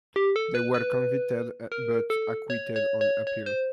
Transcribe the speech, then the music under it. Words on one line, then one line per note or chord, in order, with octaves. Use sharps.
They were convicted, but acquitted on appeal.
G4
A4
B4
B4
A#4
A4
C#5
C#5
C#5
C#5
C5